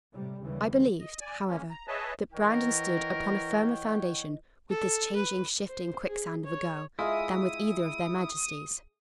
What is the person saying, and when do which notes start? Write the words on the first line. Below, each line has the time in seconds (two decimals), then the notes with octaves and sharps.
I believed, however, that Brandon stood upon a firmer foundation with this changing, shifting, quicksand of a girl than with either of their majesties.
0.13 A2 C3 G3
0.42 D#2 C#3 E3 G3
0.99 D#5
1.20 D5 G#5
1.48 G#3 A#3 C#4
1.70 A#5
1.88 G#4 B4 C#5 D#5 E5 A5
2.34 E3 A#4 C#5 D#5 F#5 G5
4.70 A4
5.16 B4
5.68 C5
6.07 G#4
6.45 C#5
6.99 G#3 E4 F4 G#4 D#5 E5 D#6